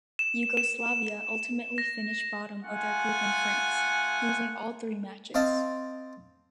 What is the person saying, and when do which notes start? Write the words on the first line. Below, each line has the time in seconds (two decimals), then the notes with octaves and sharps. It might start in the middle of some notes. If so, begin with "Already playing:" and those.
Yugoslavia ultimately finished bottom of their group in France, losing all three matches.
0.19 E7
0.57 E7
1.78 A#6
2.65 A3 F4 F#5 G#5
5.34 C4 D#5 F5 A5